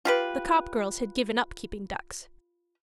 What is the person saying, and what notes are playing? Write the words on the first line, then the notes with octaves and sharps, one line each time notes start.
The Copp girls had given up keeping ducks . . .
F4 G4 B4